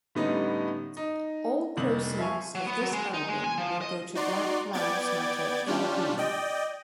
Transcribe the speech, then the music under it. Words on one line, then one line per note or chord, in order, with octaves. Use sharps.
All proceeds of this album will go to Black Lives Matter Vancouver.
A2 D3 G3 B3 C#4 D#4
D#4
F1 C2 F#7
F3 E5 F5 G#5 C#6
F#3
B3
F#3
G#3
D#4
G#3
G#5
F3
D#5
D#4 F#4 D5 C6
B3 D5 G5 D6 G#6 A6
G3 C#4 D4 F4 G4
D5 D#5 G5